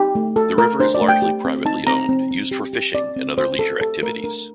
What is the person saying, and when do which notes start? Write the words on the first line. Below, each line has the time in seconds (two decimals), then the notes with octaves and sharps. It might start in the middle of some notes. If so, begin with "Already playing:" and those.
The river is largely privately owned, used for fishing and other leisure activities.
Already playing: D#4 G4
0.15 A3
0.36 F#4 A4
0.58 A3 A#4
0.80 D4 C5
0.95 D5
1.02 A3
1.08 G5
1.22 G4
1.45 C4
1.65 D#4 A5
1.87 C4 A#5
2.09 C4
2.31 C4
2.51 G4
2.73 G4
2.94 C4 D5
3.16 C4
3.38 F#4 C5
3.59 F#4 A4
3.80 G4 A4
4.02 A3 A#4
4.24 D4 A#4